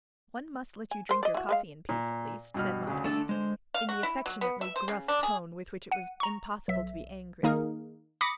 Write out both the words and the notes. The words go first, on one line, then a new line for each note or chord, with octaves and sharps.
"One must let you drink your coffee in peace, at least," said Matvey, in the affectionately gruff tone with which it was impossible to be angry.
G#5
A#4 C5
D5 D#5
E3 F#4
G#3 B4 F5
A#2
G2 B2 F6
D2 C#3
D3 A3 D4 A4
G#3 C5
F5
F#4
E4
F#3
B3
E5
C5
C#3
D4
G#4
F#5 D#7
A#5 C#6
B1 E5
D#3 A#3 D#4 G#4 A#4
B5 D6 D#6 A#6 B6 C#7